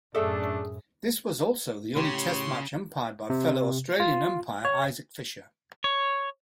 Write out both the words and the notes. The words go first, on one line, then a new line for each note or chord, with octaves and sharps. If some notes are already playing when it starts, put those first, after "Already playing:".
This was also the only Test match umpired by fellow Australian umpire Isaac Fisher.
F#2 A2 A3 D4 G#4 A4 E5
A2 C#3 G4 C#5 C6
C3
F4
C#5
C#5